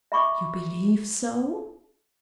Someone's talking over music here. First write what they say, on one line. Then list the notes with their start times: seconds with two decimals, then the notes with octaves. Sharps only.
"You believe so?"
0.12 E5 B5 C#6 D6